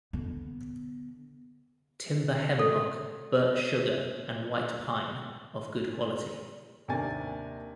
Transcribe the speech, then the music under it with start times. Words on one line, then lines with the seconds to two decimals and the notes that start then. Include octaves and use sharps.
Timber Hemlock Birch Sugar and White Pine of good quality.
0.13 D3 B3
2.59 A4
6.88 D#2 C3 A#3 D4 G#5 A6